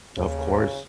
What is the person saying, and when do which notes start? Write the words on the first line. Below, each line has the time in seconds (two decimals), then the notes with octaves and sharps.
Of course.
0.17 D#2 C#3